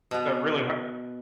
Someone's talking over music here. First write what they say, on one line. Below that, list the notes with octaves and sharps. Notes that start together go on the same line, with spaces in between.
that really h
B2 B3